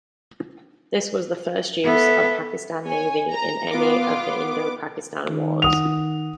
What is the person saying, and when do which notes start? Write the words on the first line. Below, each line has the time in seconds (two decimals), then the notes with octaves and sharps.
This was the first use of Pakistan Navy in any of the Indo-Pakistan Wars.
1.84 B3 A4 E5
2.86 C#5 G#5
3.31 A#5
3.71 B3 F4 D6
5.30 D#3
5.62 F#5 D#6 F7